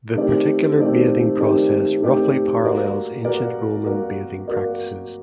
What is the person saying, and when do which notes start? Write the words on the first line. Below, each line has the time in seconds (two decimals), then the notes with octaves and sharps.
The particular bathing process roughly parallels ancient Roman bathing practices.
0.17 D#3 A3 C4 G4 D5
0.78 D#3 A3 C4 G4 D5
1.39 D#3 A3 C4 G4 D5
2.01 D#3 A3 C4 G4 D5
2.63 A#3 F#4 A#4 D5
3.25 A#3 F#4 A#4 D5
3.86 A#3 F#4 A#4 D5
4.48 A#3 F#4 A#4 D5